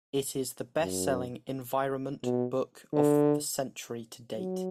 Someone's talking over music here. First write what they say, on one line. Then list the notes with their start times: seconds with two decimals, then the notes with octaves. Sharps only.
It is the best-selling environment book of the century to date.
0.81 F#2
2.23 B2
2.93 D3
4.37 F#3